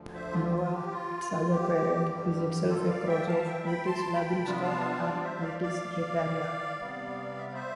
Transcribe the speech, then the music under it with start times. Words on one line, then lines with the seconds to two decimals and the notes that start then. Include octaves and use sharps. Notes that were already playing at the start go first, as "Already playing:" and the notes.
Noah, its other parent, is itself a cross of "Vitis labrusca" and "Vitis riparia".
Already playing: D2 D3 F3
0.14 C5 E5
0.33 F4
0.49 G4
0.53 F4
0.73 G4
0.91 F4
1.51 G4
2.09 G2 D3 G3
2.68 F4 A4
2.87 D5 F5
3.07 E5 G5
3.27 F5 A5
3.46 E5 G5
3.66 G5 B5
3.86 A5 C6
4.14 G5 B5
4.44 C3 G3 B3 D4 F4 A5
4.53 B5
4.62 F5 A5
5.03 D5 F5
5.23 C5 E5
5.42 D5 F5
5.62 D5 F5
6.79 C3 G3 B3
7.38 E5
7.46 F5
7.54 C5 E5